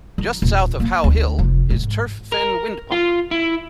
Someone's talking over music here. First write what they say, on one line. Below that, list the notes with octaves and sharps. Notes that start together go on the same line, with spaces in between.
Just south of How Hill is Turf Fen windpump.
D#3
D#1
A#3
D2
F1
G#2
A#4
F4
E4